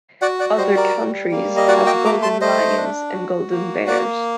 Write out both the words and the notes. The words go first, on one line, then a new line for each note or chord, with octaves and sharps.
Other countries have golden lions and golden bears.
F#4 D5 F#5
D5 F#5
G3 C5 D#5
A#4 D5
G3
A#3
D#5
F#4 D5 F#5
D#5 G5
A3 A#5 D6
A5 C6
A3 C5 D#5
D4
F#4
A#3
A#3 D5 F#5